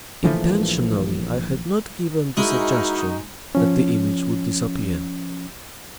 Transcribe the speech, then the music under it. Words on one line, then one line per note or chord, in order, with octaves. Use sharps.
Intentionally I had not given the suggestion that the image would disappear.
A#1 E3 F3 A3
G#3 D#4 E4 F#4 A#4 E5
F3 C#4